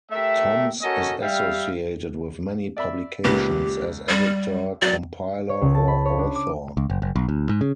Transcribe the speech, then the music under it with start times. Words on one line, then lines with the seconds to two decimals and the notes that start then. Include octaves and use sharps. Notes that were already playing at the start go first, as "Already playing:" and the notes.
Thoms is associated with many publications, as editor, compiler or author.
0.12 A3 G4 A#4 E5
0.82 C#4 F#4 A4 A#4 C#5 D#5
1.22 G3 E5 F5
2.77 D5 E5 B5
3.24 C#2 A#2 G4 B4
4.09 G3
4.82 F#3 D5
5.49 C#5
5.61 C#2
5.75 A5
5.88 B5
6.05 C#5
6.18 D4
6.35 D6
6.77 C#2
6.90 F#1
7.02 F#1
7.16 B1
7.29 D2
7.49 G#2
7.61 C#3